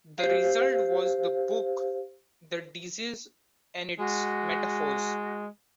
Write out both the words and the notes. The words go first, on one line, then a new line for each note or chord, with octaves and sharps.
The result was the book “The disease and its metaphors”.
G4 C5 F5
G#3 F#4